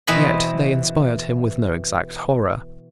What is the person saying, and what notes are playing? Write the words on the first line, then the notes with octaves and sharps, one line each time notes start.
Yet they inspired him with no exact horror.
B2 E3 C4 D#5 B5